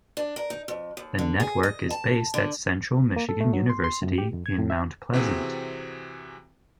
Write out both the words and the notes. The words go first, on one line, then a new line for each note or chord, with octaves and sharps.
The network is based at Central Michigan University in Mount Pleasant.
D4
A#4
D#4
F2
D#2
D3
G#4
D#5
A5
D3
A#3
A4
A3
F#3
C6
C6
F#2
G4
F2
G#6
A2
E5
C3 E3 C4 F#4 G#4